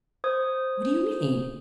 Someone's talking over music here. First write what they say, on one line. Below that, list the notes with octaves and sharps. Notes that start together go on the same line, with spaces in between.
"What do you mean?"
C5 D#6 G#6